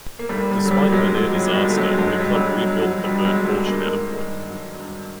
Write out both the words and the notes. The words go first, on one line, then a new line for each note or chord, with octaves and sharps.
Despite that near-disaster, the club rebuilt the burnt portion out of wood.
A#3
D#2 G3 A3
G3
D3
F#3
G3
D#2
F#3 G#3
F3
F#3
D#2
G#3
G3
D3 A3
F#3 G#3
G2 F#3 G#3
G3
D3
F#3
G3
G2
F#3
F3 F#3
G3
G2
F#3 G#3
D3
G3 A3
G2 G#3 A#3
D#3
G2
F#3
G2